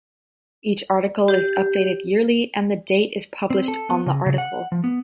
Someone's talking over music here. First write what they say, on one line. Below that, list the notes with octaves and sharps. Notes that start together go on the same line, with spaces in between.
Each article is updated yearly and the date is published on the article.
G4
C4
A4
B3
C#3
C#3
F#5
F3
B3